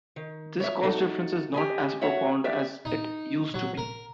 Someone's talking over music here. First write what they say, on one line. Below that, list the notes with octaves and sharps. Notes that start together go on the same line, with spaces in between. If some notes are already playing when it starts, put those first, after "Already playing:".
This cost difference is not as profound as it used to be.
D#3
C#5 E5
D#4 F#4 A4
G4 D#5 G#5
F#4 C#5 E5 F#5
G4 D5 E5
D#4
F#3
A#4